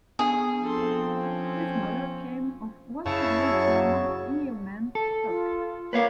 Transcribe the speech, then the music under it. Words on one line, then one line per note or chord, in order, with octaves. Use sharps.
His mother came of well-to-do German yeoman stock.
B3 D4 G#4
F3 C4 A4 C6
C#4
F#2 C#3 E4 A5 C#6
F#3
A4
F4
A#3 B4 C#5 F5